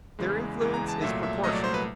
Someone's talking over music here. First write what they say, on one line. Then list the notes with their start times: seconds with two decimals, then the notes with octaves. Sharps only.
Their influence is proportionate.
0.19 E2 C#3 E3 G#3
0.61 E2 C#3 E3 G#3
0.74 A#5
0.88 A5
1.02 C2 A#2 F#3 A3 E5
1.23 E5
1.43 C2 A#2 F#3 A3 D#5
1.54 D5
1.64 C5
1.74 B4